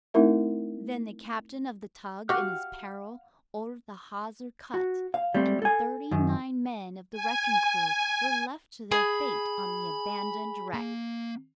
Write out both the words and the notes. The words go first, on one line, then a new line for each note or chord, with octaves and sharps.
Then the captain of the tug, in his peril, ordered the hawser cut, and thirty-nine men of the wrecking-crew were left to their fate on the abandoned wreck.
A3 C4 D#4 E4 A#4 E5
F#4 G4 F5 F#5 F6
F#4
F5
G3 A3 C4
A4 G#5
F#2 D#3
G#5
G#4 B5
A#3